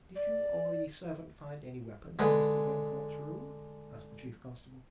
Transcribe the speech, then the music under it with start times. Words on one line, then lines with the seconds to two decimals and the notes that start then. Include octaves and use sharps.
"Did you or the servant find any weapon in Mr. Glenthorpe's room?" asked the chief constable.
0.16 D5
2.19 D3 G#3 B4